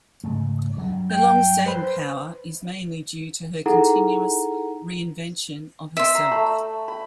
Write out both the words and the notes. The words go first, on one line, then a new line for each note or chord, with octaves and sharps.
Her long staying power is mainly due to her continuous re-invention of herself.
G#2 C#3 A3
G2 F#3
G5 G6
B4 C5 B5
D#4 E4 G#4 A4 F#5 A#5
E5 C6
A#5
A3 B5
B5